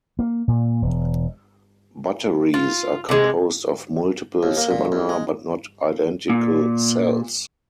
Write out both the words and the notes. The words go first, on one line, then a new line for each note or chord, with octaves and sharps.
Batteries are composed of multiple similar, but not identical, cells.
A#3
A#2
E1
F4
C3 G#3
D#2
A#3
A#2
E2
G#3
A#2